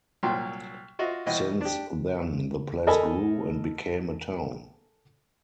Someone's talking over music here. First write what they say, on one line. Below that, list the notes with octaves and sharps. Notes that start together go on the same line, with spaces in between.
Since then the place grew and became a town.
C2 A#2 F#3 G5 C6
F4 F#4 D#5 E5
C2 B2 E3 D#5 F#5 G5
D4 G4
A4 A#4 D#5 G#5 A5 B5